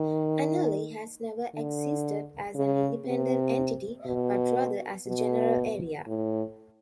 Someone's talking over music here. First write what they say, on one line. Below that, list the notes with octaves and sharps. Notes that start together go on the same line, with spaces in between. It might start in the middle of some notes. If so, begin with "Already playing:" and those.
Anerley has never existed as an independent entity, but rather as a general area.
Already playing: D#3
D3
C#3
C3
B2
B2
A2